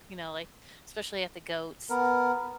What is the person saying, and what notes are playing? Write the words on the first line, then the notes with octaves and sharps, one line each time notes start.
you know, like, especially at the goats
B3 A#4